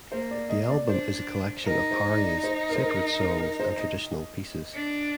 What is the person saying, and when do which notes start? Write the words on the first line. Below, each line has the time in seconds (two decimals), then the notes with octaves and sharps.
The album is a collection of arias, sacred songs and traditional pieces.
0.11 A#3 C5
0.31 D5
0.49 D#5
0.70 D5
0.88 D4 C5
1.65 D#4 A#4
1.91 C5
2.17 D5
2.43 C5
2.69 A#4
2.76 C5
2.83 A#4
2.94 A#4
3.21 A#4
3.40 A#4
3.60 C5
3.78 D#5
4.75 D4